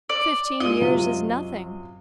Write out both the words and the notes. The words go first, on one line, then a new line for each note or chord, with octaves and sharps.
Fifteen years is nothing.
D5
G#3 F4 D#5
F#2 C3 F4